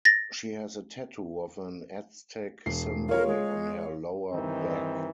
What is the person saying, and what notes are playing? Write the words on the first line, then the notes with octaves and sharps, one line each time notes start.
She has a tattoo of an Aztec symbol on her lower back.
A6 A#6
E1 C7
F4 A#4 C#5
G#3
G2 D#3 E3 C4 D#4